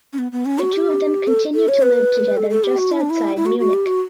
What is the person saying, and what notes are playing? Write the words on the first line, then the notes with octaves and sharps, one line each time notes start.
The two of them continued to live together just outside Munich.
C#4
B3
B3
C#4
F#4
G4
A4
A4
C#5
B4
A4
A4
G4
F#4
E4
D4
E4
E4
F#4
F#4
G4
F#4